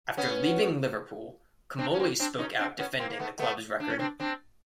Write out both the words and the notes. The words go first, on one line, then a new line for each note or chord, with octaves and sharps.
After leaving Liverpool, Comolli spoke out defending the club's record.
B3 C#4
C4 D4
C#4
A#3 C4
C4 D4
C#4 D#4
C4 D4
B3 C#4
A#3 C4
A#3
A3 B3
A3 B3
D4
C#4
C4 D4
C4 D4